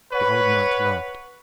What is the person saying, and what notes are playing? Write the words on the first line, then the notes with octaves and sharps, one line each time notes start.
The old knight laughed.
B4 C#5 F#5